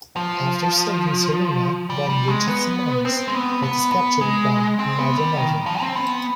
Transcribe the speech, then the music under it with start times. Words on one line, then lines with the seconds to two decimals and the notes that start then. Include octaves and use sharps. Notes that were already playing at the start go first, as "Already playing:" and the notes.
After saving Serena, Bond reaches the mines, but is captured by Nadanova.
0.16 F3
1.90 G3
2.09 G3
2.28 G#3
2.48 B3
3.05 C4
3.28 G#3
3.34 B3
3.63 B3
3.92 B3
4.21 G#3
4.79 C4
4.98 B3
5.18 G3
5.37 D#3
5.66 F3
5.81 C4
5.95 B3